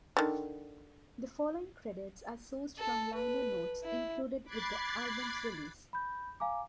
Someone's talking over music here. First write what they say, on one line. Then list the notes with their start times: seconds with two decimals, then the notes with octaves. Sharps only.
The following credits are sourced from liner notes included with the album's release.
0.17 D3 D#3
2.79 A4
3.15 B4
3.84 E4
4.44 B5 D6 F#6 G#6 A6 C7
5.93 B5 G6
6.40 F5 G#5 A#5 D6